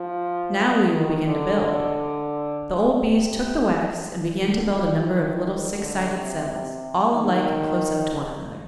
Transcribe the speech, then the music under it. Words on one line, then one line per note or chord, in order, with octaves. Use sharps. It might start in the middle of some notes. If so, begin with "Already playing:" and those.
"Now we will begin to build." The old Bees took the wax, and began to build a number of little six-sided cells, all alike and close up to one another.
Already playing: F3
D#3
D3
C3
C3
D3
F3
D#3
D3
C3
D#3